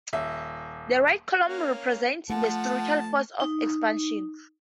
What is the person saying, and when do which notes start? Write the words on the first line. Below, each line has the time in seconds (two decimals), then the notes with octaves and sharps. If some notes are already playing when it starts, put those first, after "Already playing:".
The Right column represents the spiritual force of expansion.
0.13 D#1 E5
1.48 A#3 C#4
2.29 F3 A3 F#5 A5
3.40 D#4